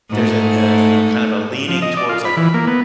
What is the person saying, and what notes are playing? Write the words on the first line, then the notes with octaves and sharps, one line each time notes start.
there's a a, you know, kind of a leaning towards, like
G#2 A3
F3
D#5
D5
F4
B5
E3
A#3
B3